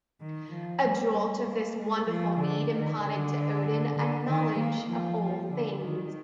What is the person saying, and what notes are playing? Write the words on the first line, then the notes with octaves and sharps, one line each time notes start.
A draught of this wonderful mead imparted to Odin a knowledge of all things.
D#3
F3
G3
A#3
G#3
F3
D3
D#3
D3
D3
D#3
A#3
F3
F3
D3
D#3